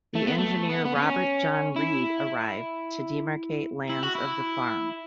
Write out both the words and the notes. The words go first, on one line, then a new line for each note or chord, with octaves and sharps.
The engineer Robert John Reid arrived, to demarcate lands of the farm.
A3
B3
A3
B3
B3
C#4
E4
E4
F#4
E4